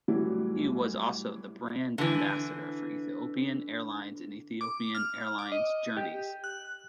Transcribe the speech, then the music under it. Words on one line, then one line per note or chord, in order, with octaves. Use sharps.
He was also the "Brand Ambassador" for Ethiopian Airlines and Ethiopian Airlines Journeys.
A2 E3 F#3 G3
D3 E3
D6
F6
D6
D#5
G4
F#6